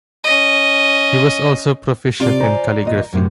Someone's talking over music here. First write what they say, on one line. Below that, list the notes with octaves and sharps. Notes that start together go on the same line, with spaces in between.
He was also proficient in calligraphy.
C#4 D#5
C3 F4 D5
C5 G#5 A#5
D#2 A#2 D#5
F#2 A2 C3